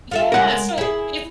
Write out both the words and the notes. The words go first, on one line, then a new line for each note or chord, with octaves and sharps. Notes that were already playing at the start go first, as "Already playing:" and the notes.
Yeah. So if
F4 A4 E5
C#3 G#3 A#4 F#5
E4 G#4